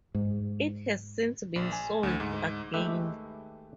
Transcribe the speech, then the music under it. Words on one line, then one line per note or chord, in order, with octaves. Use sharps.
It has since been sold again.
G#2
A#1
G#5
D2
G#2
D#2 G#3 A3 G4 B4 E5